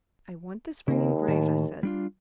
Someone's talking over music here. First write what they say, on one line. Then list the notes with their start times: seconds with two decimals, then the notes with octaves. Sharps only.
"I want this ring engraved," I said.
0.88 D#2 C#3 A#3
1.28 A2 D#3 A5
1.83 G3 D4 F4